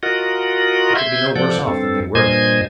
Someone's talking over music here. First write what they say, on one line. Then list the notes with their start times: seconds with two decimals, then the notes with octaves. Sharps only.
They could be no worse off than they were.
0.03 F4 F#4 A#4 D#5 F#5
0.96 E5 C6 G6 G#6
1.35 C3 F3 A4 D5 F#5 G6
1.67 G2 C4 A4
2.15 G2 A#2 C5 D#5 G#5 G#6